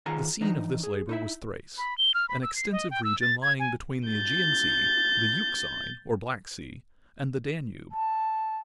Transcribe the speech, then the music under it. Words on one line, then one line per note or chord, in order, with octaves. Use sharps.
The scene of this labor was Thrace, an extensive region lying between the AEgean Sea, the Euxine or Black Sea, and the Danube.
D#3 F4 G#4 F#5 G#5 A#5
E3 F3 D4 D#4
G#4
D#4 E4 E5
B5
G7
F6
B5
E6
C7
D#5
G5
E6
A6
G#6
G#5
G6 A6
A5